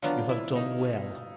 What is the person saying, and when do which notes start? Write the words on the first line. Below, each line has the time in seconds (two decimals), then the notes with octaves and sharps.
You have done well!
0.02 D3 F#3 B3 D4 F4
0.29 E4
0.56 D#4